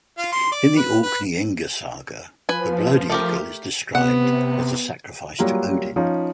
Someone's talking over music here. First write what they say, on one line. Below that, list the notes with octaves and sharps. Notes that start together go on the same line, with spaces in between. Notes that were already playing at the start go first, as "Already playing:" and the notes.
In the Orkneyinga saga, the blood eagle is described as a sacrifice to Odin.
F4
C6
D5
B4
B4
F3 B4 G#5
A3 G4 A#4
C3 B3 F#5
F#3 G3 A#3 F4
F3 C#4 D#4